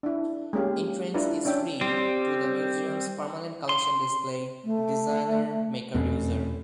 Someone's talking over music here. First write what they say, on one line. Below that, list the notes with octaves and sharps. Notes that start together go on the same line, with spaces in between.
Entrance is free to the museum's permanent collection display, "Designer Maker User".
D4 E4
G#3 A#3 C#4 G4 F5
D4 E4 F4 B4 D5 A#5
C#4 D4 E5 G5
G3 C4
C6
A3
F1 E2 B2 C#4